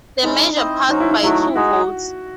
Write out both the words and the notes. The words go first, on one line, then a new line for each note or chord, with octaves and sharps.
The measure passed by two votes.
G#3 C#4 D#4 E4
C4 E4 C5 D#5
F#3 C#4 D#4 F#4 C5
E4
E4
F#3 A3 D#4 E4 F#4
G#3 D#4 F#4 G#4